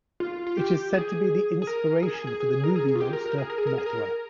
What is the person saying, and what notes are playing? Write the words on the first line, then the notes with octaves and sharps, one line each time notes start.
It is said to be the inspiration for the movie monster Mothra.
F4
F4
G4
G#4
G#4
A#4
G#4
G#4
G#4
G#4
G#4
A#4
G#4
G#4
F4
G4
A#4
A#4
G#4
A#4
G#4
A#4
G#4
A#4